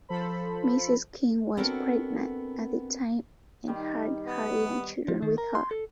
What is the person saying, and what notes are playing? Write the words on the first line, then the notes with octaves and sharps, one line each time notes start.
Mrs. King was pregnant at the time and had her young children with her.
F3 A4 C5 B5
B3 C4 D4 F#4 A4 A#4
D#3 G3
B3
F3
D#3
A#4
C6
A4